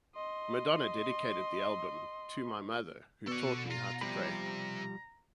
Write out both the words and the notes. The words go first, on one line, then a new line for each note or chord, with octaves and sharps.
Madonna dedicated the album to "My mother, who taught me how to pray".
D#5 C6
B2 A4 D5 F#5 C#6
F4 A#5
C3 F3 G3 B5